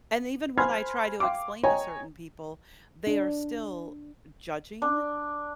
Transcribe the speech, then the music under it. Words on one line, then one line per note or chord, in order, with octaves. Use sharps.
And even when I try to explain to certain people, they are still judging
C5 G#5 B5 C6 F6 G#6
F5 G5 C6 D6
C#5 D#5 G5 G#5 A#5
D4
D4